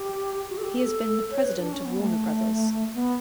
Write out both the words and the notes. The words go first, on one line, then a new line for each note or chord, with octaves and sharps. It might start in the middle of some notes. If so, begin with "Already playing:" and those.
He has been the president of Warner Bros.
Already playing: G4
F#4
A4
G4
A4
C#5
B4
D4
C#4
B3
A3
B3